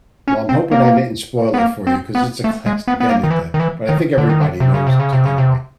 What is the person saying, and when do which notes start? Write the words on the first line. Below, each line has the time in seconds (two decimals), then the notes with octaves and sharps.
Well, I'm hoping I didn't spoil it for you 'cause it's a classic ending to but I think everybody knows it anyway.
0.28 C#4
0.49 C4
0.71 A#3
1.54 B3
1.58 A#3
1.87 C4
2.15 B3
2.44 A3
2.66 G#3
2.88 B3
3.00 B3
3.09 A#3
3.24 D#3
3.31 E3
3.54 D#3
3.60 E3
3.89 D#3
4.18 D3
4.29 D#3
4.41 D3
4.60 C3
4.74 C#3
4.87 C3
5.00 C#3
5.13 C3
5.25 C#3
5.38 C3